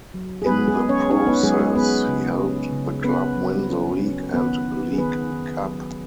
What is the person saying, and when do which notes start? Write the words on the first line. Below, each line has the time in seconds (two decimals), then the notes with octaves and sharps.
In the process he helped the club win the League and League Cup.
0.14 F#3
0.42 G#4
0.46 F#3 B3 B4
0.68 G#3 G#4
0.78 B3
0.89 C#4 C#5
1.11 C#4 D#4 C#5
1.27 B3 B4
1.43 F#3 G#3 G#4
1.59 G#3 G#4
1.75 G#3 B3 B4
2.08 C#3
2.40 C#4
2.72 C#3
3.04 B3 C#4 B4
3.37 F#3
3.69 C#4
4.01 C#4
4.34 D#3 B3 B4
4.66 D#4
4.93 G#4
4.98 D#3 B3 B4
5.31 D#3
5.63 F#3